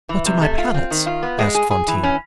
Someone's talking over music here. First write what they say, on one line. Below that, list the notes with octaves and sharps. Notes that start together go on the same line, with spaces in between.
"What are my palettes?" asked Fantine.
E3
C3
A3
F4
C4
D#3
F4
B3
G#3
G#4
G#4
E3
C#4